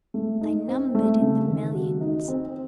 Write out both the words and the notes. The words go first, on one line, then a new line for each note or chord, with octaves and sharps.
They numbered in the millions.
A3
D#4
C4
A3
C#3
D#3
F#4
D#4
C4